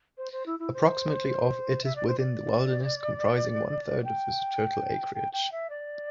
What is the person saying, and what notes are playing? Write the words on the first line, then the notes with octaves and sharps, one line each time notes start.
Approximately of it is within the wilderness, comprising one-third of its total acreage.
C5
C5
E4
E4
C5
E5
D5
C5
D5
G5
G5
G5
E5
D5